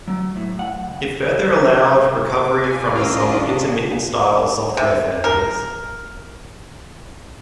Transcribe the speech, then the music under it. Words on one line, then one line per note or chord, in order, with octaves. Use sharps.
It further allowed recovery from some intermittent-style software failures.
F#3
A2
F#5
C#2
D6
F4 D5 G#5
D#3 C#4 A#4 D#5 F5 E6
D4
C3
A#4